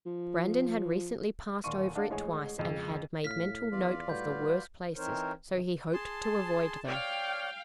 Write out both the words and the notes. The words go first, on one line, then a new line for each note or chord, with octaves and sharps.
Brandon had recently passed over it twice, and had made mental note of the worst places, so he hoped to avoid them.
F3
D#1 A#3 D5 C6 C#6 D#7
D4 F5 F#5
A1 G#3 C#5 G#5
F2 C#3 G#3
A2 F5 F6 B6
E2 F4 D5 F5
A2 G3 F#4 B4 G6
E3 C4 D#4 A#4 C5 C#5
G2 C3 D#3
G#4 A5 C6
C#5 D5 F5 G5